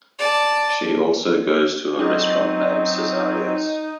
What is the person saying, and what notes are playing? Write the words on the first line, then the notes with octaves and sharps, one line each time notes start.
She also goes to a restaurant named "Cesario's".
D5 A5
F#3 C4 D#4 D#5